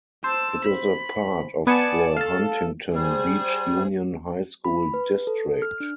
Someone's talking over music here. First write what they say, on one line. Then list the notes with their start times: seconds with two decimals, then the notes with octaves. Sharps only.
It is a part of the Huntington Beach Union High School District.
0.24 C5 A5 E6
0.65 B5
1.67 B3 D5 G#5 A5 C#7
2.17 A4 F5 A5
2.95 G3 G#4 C5
4.65 B5
4.94 B4
5.27 A4
5.62 F6
5.80 D4